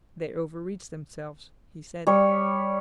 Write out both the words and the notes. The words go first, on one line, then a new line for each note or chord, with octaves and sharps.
"They overreached themselves," he said.
G3 C#5